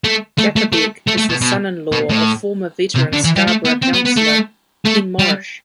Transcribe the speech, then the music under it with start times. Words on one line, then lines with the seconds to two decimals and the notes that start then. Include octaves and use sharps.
Jakobek is the son-in-law of former veteran Scarborough councillor Ken Morrish.
0.04 A3
0.38 A3
0.56 A3
0.73 A3
1.08 A3
1.18 A3
1.30 B2
1.42 B2
1.92 B2
2.10 A2
2.96 C3
3.13 D3
3.24 E3
3.36 G3
3.47 A3
3.65 B3
3.82 C4
3.93 B3
4.05 B3
4.16 A3
4.85 A3
5.19 G3